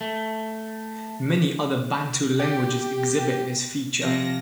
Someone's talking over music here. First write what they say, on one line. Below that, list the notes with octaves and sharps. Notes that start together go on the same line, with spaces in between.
Many other Bantu languages exhibit this feature.
A3
G4
C3 F3 A#6